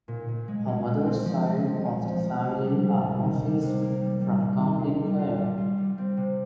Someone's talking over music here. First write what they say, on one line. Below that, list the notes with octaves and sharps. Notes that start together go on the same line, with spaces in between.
Her mother's side of the family are Murphys from County Clare.
A#2
A#2
G#3
G#3
G#3
C4
F3
G#3
F3
F3
F3
F3
C3
G3
G3
D#3
D#3
G3
C3
A#3
G3
G3
D#3
D#3
F4
G3
F4
G3
F4
G3
C4
C3